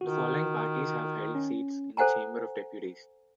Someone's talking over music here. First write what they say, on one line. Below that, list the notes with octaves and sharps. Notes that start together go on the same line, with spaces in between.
The following parties have held seats in the Chamber of Deputies.
D#3 F4 F#4
C#4
A4 C5 F#5 G#5 A#5